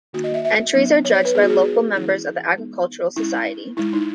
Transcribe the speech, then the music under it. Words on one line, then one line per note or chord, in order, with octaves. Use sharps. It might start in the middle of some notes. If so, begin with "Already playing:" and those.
Entries are judged by local members of the Agricultural Society.
D#3 A#3 D#4 F#4
D#5
E5
E5
F#3 B3 D#4
C#5
C#5
B4
G#3 B3 D#4 G#4
F#4
G#4
E3 G#3 C#4 E4
G#3 B3 D#4
G#3 C#4 E4
G#3 D#4 E4
D#4